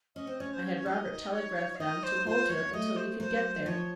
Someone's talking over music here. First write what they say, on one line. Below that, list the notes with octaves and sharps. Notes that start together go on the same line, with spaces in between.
I had Robert telegraph them to hold her until we could get there.
C#4 D#5
C4
C#4 C#5
C5
C#5
C#5
D#4 D#5
C#5
F5
D#4 D#5
C5
F4 C5
A#3 C#5
A3 D#5
C5
F#3 C5
F3 C#5